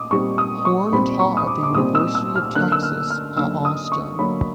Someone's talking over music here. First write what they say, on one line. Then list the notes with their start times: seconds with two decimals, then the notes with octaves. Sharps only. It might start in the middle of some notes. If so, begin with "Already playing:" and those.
Horn taught at the University of Texas at Austin.
Already playing: A#2 D6 D#6
0.11 A#2 G3 C4 C#6
0.38 D#6
0.65 C#6
0.92 A#2 G3 C4 B5
1.19 C#6
1.37 D#6
1.47 D6
1.63 D6
1.74 A#2 G3 C4 D#6
1.95 E6
2.15 E6
2.35 F6
2.55 D3 F#3 A#3 F#6
2.72 E6
2.83 F6
3.10 F6
3.37 D3 F#3 A#3 E6
3.65 D#6
3.92 C#6
4.19 D3 F#3 A#3 B5